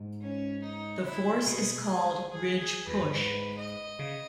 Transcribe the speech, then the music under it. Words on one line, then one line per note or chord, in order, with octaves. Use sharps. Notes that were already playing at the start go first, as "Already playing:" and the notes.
The force is called ridge push.
Already playing: G#2
C#4
D#4
E4
B2 G#4
G#4
G#4
E2 B4
G2
G#2 B4
D#5
C#3